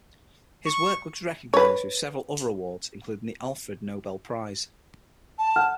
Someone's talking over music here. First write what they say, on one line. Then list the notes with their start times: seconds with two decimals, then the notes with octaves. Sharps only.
His work was recognized with several other awards including the Alfred Noble Prize.
0.66 C#6
1.54 B4 C#5
5.38 A5
5.56 F#5 F6